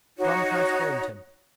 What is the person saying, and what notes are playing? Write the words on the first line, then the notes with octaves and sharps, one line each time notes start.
Rum transformed him.
D#4 F#4 C#5